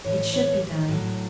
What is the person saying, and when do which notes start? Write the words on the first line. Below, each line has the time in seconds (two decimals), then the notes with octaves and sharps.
It should be done!
0.05 A2 E3 C#5
0.34 C#5
0.89 A2 F#3